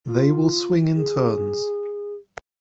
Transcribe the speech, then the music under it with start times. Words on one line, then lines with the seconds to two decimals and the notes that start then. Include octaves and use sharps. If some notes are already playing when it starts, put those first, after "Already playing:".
They will swing in turns.
0.06 F4
0.95 G#4